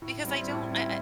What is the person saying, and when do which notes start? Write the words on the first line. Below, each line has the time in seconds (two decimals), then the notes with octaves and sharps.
because I don't I
0.02 A2
0.25 G3 C4 E4
0.48 A2
0.71 G3 C4 E4